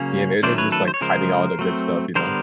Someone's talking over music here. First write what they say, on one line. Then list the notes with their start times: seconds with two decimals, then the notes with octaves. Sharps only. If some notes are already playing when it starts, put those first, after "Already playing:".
Yeah, maybe they're just, like, hiding all the good stuff, you know?
Already playing: C#3 F#3 A#3 C#4
0.43 D#3 F#3 A3 C#4 C5 D5
0.58 B4 C#5
0.72 A4 B4
0.88 C5
0.94 C#5
1.01 C#3 F3 G#3 A#4 C5
1.59 F#3 A3 C4
2.15 D3 G3 B3 A#4 C5